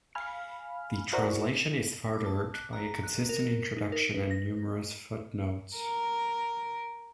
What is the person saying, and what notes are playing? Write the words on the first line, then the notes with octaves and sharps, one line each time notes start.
The translation is furthered by a consistent introduction and numerous footnotes.
F5 G#5 B5 F6
E4 F#4 A#4 C5 D5
D6
A5
F#6
A#5
F#6
A#4
D#4
A#4
B4
A#6
A#4